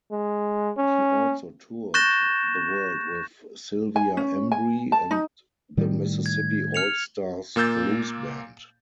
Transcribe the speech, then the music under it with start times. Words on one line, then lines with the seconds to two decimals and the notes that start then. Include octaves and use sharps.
He also toured the world with Sylvia Embry and the Mississippi All-Stars Blues Band.
0.12 G#3
0.78 C#4
1.94 C#6 F#6 G6 A6 A#6 E7
3.96 G#5
4.17 C#4
4.52 G#5
4.92 A5
5.11 D#4
5.77 A2 D#3 G3
6.26 G#6
6.74 F6 C#7 F7
7.56 A#2 A#3 E6 G6 A6